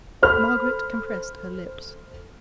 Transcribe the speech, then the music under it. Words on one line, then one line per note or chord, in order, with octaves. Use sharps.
Margaret compressed her lips.
A4 C5 B5 F6